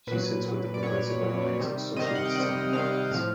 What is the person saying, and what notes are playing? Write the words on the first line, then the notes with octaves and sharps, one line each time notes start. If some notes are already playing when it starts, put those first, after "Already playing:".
She sits with the Progressive Alliance of Socialists and Democrats.
A#2 F#3 B4
A#2 F#3
D5
A#2 F#3 C#5
A#2 F#3
C3 D#3 G3
C3 D#3 G3 D#5
F5
F#5
G5
C3 D#3 G3 F#5
C3 D#3 G3 F5
A2 F3